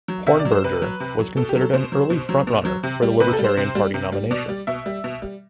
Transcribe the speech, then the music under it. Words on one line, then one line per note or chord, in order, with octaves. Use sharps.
Hornberger was considered an early front runner for the Libertarian Party nomination.
F#3
C3 E5
D5
F#3
C5
C3 B4
F#3
C3
F#3
B2 A4
G4
F#3
A4
B2 C5
F#3
B2
F#3
B2
F#3
C3
G3
C3 B4
A4
G3
C5
C3
G3
C3
G3
B2 D5
G3
B2 E5
G3
B2
G3